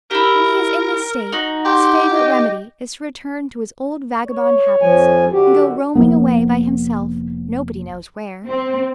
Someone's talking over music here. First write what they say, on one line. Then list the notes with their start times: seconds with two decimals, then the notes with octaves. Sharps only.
When he is in this state, his favorite remedy is to return to his old vagabond habits, and go roaming away by himself nobody knows where.
0.11 E4 G4 A#4
1.32 D#4 F#4
1.65 G4 C6
2.11 D#5
4.27 C#5
4.81 F2 F3 G#5
5.32 F#2 D3 F#4 G4
5.95 F1 F3 A#3 B3
8.48 C4